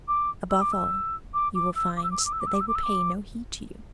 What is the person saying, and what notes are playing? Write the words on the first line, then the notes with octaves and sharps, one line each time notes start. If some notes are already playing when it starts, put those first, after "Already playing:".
Above all you will find that they will pay no heed to you.
D6
E6
D6
E6
D6
D6
E6
D6
E6
D6
E6
D6
E6
D6
E6
D6
E6
D6
E6
D6